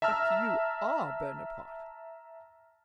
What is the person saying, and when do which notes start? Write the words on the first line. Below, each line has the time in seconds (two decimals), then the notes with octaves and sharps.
But you are Bonaparte.
0.02 E5 A5 A#5 E6 F6